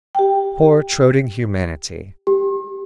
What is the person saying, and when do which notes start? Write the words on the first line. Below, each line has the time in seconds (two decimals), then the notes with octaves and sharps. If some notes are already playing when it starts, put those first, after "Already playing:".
Poor, toadying humanity!
0.15 G4 G5
2.27 G4